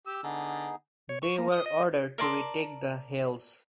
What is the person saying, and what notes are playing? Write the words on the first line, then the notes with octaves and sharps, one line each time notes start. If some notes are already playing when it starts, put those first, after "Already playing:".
They were ordered to retake the hills.
G4 E6
D3 B3 D#4 G#4
C#5
C#6
A#3
D#6
D#5
A#4 D5 A5 C6